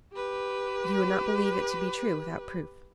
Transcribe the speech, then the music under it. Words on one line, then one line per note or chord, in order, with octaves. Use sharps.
But he would not believe it to be true without proof.
G4 B4